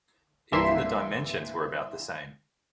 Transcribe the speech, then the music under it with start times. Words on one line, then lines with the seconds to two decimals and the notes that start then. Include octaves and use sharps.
Even the dimensions were about the same.
0.52 C2 G2 E3 A#3 E5 C6